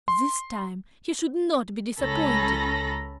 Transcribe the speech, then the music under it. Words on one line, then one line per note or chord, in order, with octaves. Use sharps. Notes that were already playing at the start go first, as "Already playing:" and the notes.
This time he should not be disappointed.
C6
C#2 C#4 A4 A#5 B5 A#6